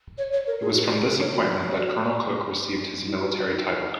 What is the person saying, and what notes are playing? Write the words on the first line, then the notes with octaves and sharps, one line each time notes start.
It was from this appointment that Colonel Cook received his military title.
C#5
C#5
A#4
G#4
D#4
F#4
G#4
A#4
C#5
F#4
D#4
F#4
F#4
D#4